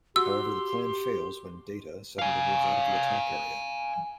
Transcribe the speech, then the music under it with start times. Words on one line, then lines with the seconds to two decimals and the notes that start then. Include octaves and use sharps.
However the plan fails when Data suddenly moves out of the attack area.
0.16 F#4 G4 C6 E6
2.19 F5 G#5